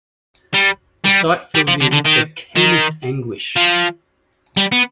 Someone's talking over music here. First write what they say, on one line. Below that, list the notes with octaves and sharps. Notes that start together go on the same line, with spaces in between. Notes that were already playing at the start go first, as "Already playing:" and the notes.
The sight filled me with the keenest anguish.
G3
G3
G3
F3
D3
D3
D#3
D#3
F3
G3
B3